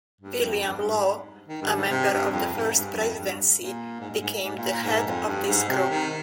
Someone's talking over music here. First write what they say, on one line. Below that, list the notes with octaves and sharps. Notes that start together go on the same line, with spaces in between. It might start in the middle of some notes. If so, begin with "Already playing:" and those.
William Law, a member of the First Presidency, became the head of this group.
G2
F2
G2
G#2
D#3
G2
G#2
C3
G2
F2
G#2
G2
F2
G2
A#2
G#2
G2
G#2
G#2
A#2
A#2
G#2
F2
G2
G#2
C3
D#3